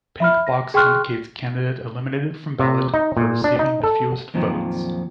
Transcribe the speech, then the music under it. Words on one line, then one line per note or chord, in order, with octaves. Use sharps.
Pink box indicates candidate eliminated from ballot for receiving the fewest votes.
E5 B5 F6
A#6
G#4 G5 C6 C#6 F6 F#6
C3
D#4
A#2
D4
D#4
A4
F2 A#2 D#3 F3 F#3